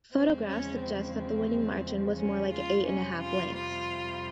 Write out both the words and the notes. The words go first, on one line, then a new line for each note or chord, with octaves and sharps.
Photographs suggest that the winning margin was more like eight and a half lengths.
E2 C#3 F3 G#3 C4
C#4
C4
C#4
F4
F2 C3 G3 C#4
F4
F4